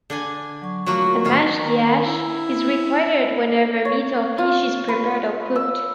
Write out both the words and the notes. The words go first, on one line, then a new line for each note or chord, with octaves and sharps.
A mashgiach is required whenever meat or fish is prepared or cooked.
D3 D4 G#5
D5
F#3 C#6
F#3 A3 A#3 F4 F#4 C#6
A#4
A2 D#3 A3 F4 C#6
D#3
E4
C#5
F4
B4
E6